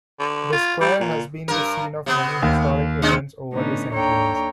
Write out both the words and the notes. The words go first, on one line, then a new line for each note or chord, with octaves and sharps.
The Square has been the scene of many historic events over the centuries.
D3
F4
G3
A#2
G2 A#4
C3 B3
D#2
D3 G#3 C#4
A2 D3 B3 C#4 D#4
D#2 D4 A4 C#5 G5 A#5